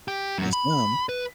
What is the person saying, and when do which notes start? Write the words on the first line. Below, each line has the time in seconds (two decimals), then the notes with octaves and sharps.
Yes, ma'am.
0.08 G4
0.38 F#2 F#3
0.53 B5
1.09 B4